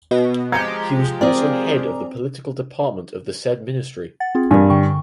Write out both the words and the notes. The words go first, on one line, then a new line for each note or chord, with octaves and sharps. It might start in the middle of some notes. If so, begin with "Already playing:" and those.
He was also head of the Political Department of the said Ministry.
B2 B3 F#4 D#5
F3 G#3 G4 A#5 G#6 C#7
C4 G#4 A#4 D5
F#5 A6
C4 F4 G#4
G2 A#4 G#5
D3 G5 C#6